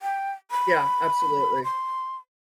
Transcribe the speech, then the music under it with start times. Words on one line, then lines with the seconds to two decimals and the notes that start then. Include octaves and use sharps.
Yeah, absolutely.
0.02 G5
0.51 B5
1.64 C6